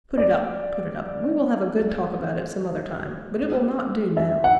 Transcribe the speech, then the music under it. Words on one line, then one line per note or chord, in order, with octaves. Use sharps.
Put it up, put it up; we will have a good talk about it some other time, but it will not do now.
D5
E5
F#5